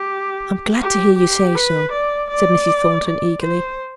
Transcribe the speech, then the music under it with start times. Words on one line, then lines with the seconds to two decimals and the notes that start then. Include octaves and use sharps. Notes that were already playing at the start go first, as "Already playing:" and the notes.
'I'm glad to hear you say so,' said Mrs. Thornton, eagerly.
Already playing: G4
0.81 G4
1.18 G4
1.55 B4
1.92 D5
2.30 D5
3.05 D5
3.42 C5